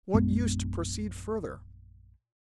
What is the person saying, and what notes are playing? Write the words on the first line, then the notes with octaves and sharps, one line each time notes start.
What use to proceed further?
A#1 F#2 G#3 B3